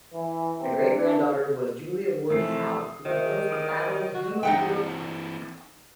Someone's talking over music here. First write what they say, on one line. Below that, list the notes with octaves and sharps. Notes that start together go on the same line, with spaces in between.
A great-granddaughter was Julia Ward Howe who composed the "Battle Hymn of the Republic".
E3
C3
D4
F2 E3 A3 C7
D#6
D#3 C5 E5
G#4
D#6 F6 D7
F#4
E3 C4 D#4 F#5 G5